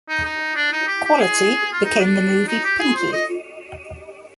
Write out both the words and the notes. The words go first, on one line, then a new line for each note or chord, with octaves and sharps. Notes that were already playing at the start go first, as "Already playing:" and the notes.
"Quality" became the movie "Pinky".
D#4
D#4
D4
D#4
G4
G4
G#4
F4
D#4
D4
D#4
G4
G#4
C5
D#5